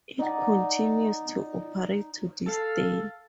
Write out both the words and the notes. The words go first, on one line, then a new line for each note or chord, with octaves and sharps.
It continues to operate to this day.
D#4 D5 F#5
A4 F5